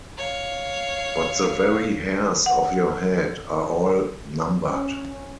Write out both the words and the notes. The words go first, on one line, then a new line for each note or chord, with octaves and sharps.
But the very hairs of your head are all numbered.
C#5 F5
F#5
C#4